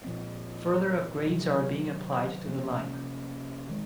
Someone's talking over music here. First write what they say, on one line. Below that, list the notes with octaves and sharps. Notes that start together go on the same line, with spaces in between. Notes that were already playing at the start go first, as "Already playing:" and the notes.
Further upgrades are being applied to the line.
A#2 F3 C4
C3 D#3 F#3
C3 F3 A#3 C#4
D#3 G#3